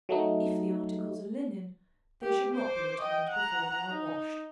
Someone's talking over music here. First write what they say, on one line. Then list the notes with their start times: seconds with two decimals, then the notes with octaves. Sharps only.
If the articles are linen, they should not be returned before they are washed.
0.09 F#3 A3 D#4
2.22 G4
2.53 C5 D6
3.00 D#5 G5
3.29 F#5 A#5
3.92 D#4